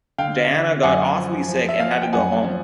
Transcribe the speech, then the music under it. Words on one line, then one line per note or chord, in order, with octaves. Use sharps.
Diana got awfully sick and had to go home.
D3 F5 G5
D3
F#2 F#5 G#5
F3
F3
E5
F3 F5
F#5
G5
F#2 F#5 G#5
F3